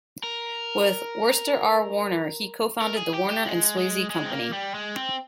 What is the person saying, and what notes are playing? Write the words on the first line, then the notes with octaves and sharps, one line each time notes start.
With Worcester R. Warner he co-founded the Warner and Swasey Company.
A#4
A#4
G#4
G4
G4
G#3
G#3
G#3
C4
A#3
G3
G#3
C4